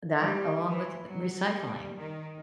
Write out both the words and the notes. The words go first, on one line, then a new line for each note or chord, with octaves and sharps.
that along with recycling.
G3
E3
F#3
G3
D#3